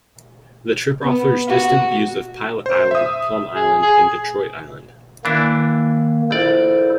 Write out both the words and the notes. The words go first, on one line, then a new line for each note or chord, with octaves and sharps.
The trip offers distant views of Pilot Island, Plum Island and Detroit Island.
B3
F#4
C5
E5 D#6
G#4
G#4
D#3 E3 A#3 D4 E4
A#1 E4 A4 C5 D5